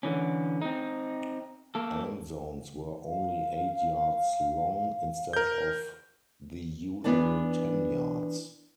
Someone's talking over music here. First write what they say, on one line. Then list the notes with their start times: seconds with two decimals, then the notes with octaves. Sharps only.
End zones were only eight yards long instead of the usual ten yards.
0.03 D3 E3 C#4
0.62 C4 D#4
1.75 A#3 A4
3.07 F5
5.33 A#4 G6
7.04 E3 B3 D4 D5 A5